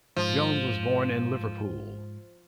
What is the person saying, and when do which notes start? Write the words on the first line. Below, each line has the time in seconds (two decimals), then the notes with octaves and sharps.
Jones was born in Liverpool.
0.16 G#2 F3 G#3